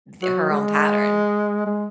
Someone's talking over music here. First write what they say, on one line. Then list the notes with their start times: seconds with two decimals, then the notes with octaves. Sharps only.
the her own pattern
0.22 F#3
0.50 G#3
1.66 G#3